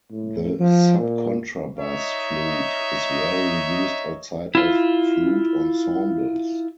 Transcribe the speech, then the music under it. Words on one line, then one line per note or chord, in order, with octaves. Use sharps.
The subcontrabass flute is rarely used outside of flute ensembles.
A2
F3
A#2
D#4 C#5 D#5 E5
E4 F4